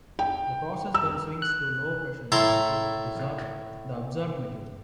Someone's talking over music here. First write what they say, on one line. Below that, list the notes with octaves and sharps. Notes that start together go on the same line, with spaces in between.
The process then swings to low pressure to desorb the adsorbed material.
G5
E6
F#6
A2 E4 A4 A#5 C6